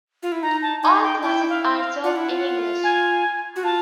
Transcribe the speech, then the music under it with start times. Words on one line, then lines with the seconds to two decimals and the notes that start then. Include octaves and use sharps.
All classes are taught in English.
0.23 F4
0.32 E4
0.42 D#4 A#5
0.62 A5
0.82 D#4 G#5
1.03 G5
1.22 E4 G5
1.49 F5
1.77 F5
2.03 F4 F#5
2.16 E4
2.29 F4
2.84 G#5
3.56 F#4
3.63 F4 A5